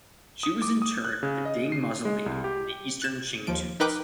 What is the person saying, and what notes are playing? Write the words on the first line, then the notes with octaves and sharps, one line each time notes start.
She was interred at the Ding Mausoleum in the Eastern Qing tombs.
D#6
D6
D#6
F#6
C#3
D#5
C7
G#3
C2
G4
F#6 E7
D#2 F3 D7
D#4 A#4 B4 G5 D6 F#6